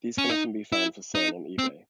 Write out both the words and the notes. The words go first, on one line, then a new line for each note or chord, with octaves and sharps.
These can often be found for sale on eBay.
C#4
D#4
E4
D#4
C4